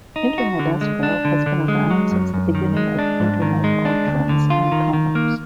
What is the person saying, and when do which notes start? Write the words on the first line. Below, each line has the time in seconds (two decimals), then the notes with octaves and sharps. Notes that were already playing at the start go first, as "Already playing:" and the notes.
Internet escrow has been around since the beginning of Internet auctions and commerce.
0.16 D#4
0.38 F#4
0.60 D3
0.81 G#3
1.03 D4
1.25 D3
1.46 D3
1.68 G#3
1.90 F#3
2.11 F#2
2.34 F#2
2.55 D#3
2.77 G#3
2.99 D4
3.20 G#2
3.42 D#3
3.64 G#3
3.85 D4
4.07 D2
4.29 D3
4.50 F4
4.72 D#3
4.93 D#3
5.15 A#3